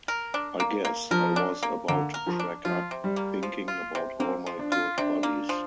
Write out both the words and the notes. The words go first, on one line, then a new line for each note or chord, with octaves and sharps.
I guess I was about to crack up thinking about all my good buddies.
A#4
D4
A#3
A#3
F3 A#4
D4
A#3
D3 A#3
A#4
F3
D4
F3 F4
C3
G3
A#3
F3
F4
C3
A#3 C4
F3
D4
F4
C3 D4
A#3
F3